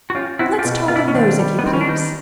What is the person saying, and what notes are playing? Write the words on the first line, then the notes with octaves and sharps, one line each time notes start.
Let us talk of those, if you please.
F#4
C#4 F4 G4
C4 E4 F#4
F4 G4
B2
B2 F4
D4 E4
C#4
D#3 C4 D4
G3
B3
D#3 C4
C#4
D4
B3 C#4 D#4